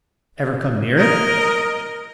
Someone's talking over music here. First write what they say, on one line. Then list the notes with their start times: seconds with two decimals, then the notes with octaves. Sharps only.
"Ever come near it?"
0.97 A#4 D#5